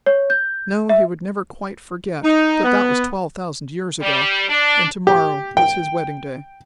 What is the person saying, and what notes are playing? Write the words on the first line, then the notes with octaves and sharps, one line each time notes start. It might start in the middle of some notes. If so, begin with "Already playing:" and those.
No, he would never quite forget, but that was twelve thousand years ago ... and to-morrow was his wedding day.
C#5
G6
E5
D#4
B3
G3
D4
G4
G5